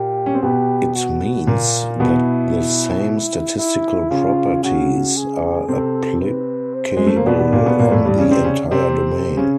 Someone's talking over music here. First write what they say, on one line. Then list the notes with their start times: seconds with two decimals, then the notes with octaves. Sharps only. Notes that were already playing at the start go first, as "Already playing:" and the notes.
It means that the same statistical properties are applicable on the entire domain.
Already playing: A#2 A#3 G4
0.26 C#4
0.34 C4
0.43 B2 B3 G4
0.95 F#4
1.47 A#2 A#3
2.00 B2 B3 E4
3.58 E4
4.10 C#3 C#4 F4
4.63 C#3 C#4 F#4
5.17 G#4
5.68 C3 C4 A4
6.21 B4
6.74 C5
6.97 G#3
7.07 A3
7.16 A#3
7.26 B2 B3 D5
7.39 B2 B3
7.53 A#2 A#3
7.66 B2 B3
7.79 A#2 A#3
7.92 A2 A3
8.05 G2 G3
8.18 C#3 C#4
8.31 C3 C4
8.44 C#3 C#4
8.71 C3 C4
9.37 C#3 C#4